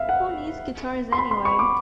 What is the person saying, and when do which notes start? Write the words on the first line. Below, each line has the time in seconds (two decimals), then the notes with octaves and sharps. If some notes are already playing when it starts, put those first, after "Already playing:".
Who Needs Guitars Anyway?
Already playing: E5 F5
0.09 F#5
1.12 C6
1.18 B5
1.31 C6
1.45 C#6
1.59 D6